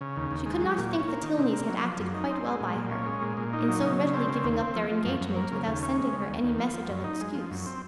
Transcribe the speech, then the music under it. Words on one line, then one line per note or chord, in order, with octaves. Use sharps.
She could not think the Tilneys had acted quite well by her, in so readily giving up their engagement, without sending her any message of excuse.
C#3
D#2
D#2
G#3
F#3
A#2
C#4
A#3
D#3
C3
A#3
F#3
F3
F#2
D#4
C4
G#3
A#2
A#2
C#4
G#3
A#2
A#2
D#4
F#3
C#3
C#3
C4
C#3
D#2
C4
F3
F3
F#2
F#2
A#3
C#3
D#2
C#4
G#3
C#3
D#2
D#2
F3
F3
F#2
D#4
G#3
F3
F#2
C4